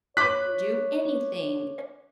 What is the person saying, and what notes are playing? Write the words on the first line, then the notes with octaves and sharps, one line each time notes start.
"I can do anything."
C#5 D6 F#6 B6